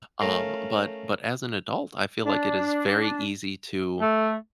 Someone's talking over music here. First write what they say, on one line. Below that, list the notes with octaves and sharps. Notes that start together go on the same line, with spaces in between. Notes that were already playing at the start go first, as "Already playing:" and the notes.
um, but but as an adult, I feel like it is very easy to
A3 C#4 A#4 F5
D4
A3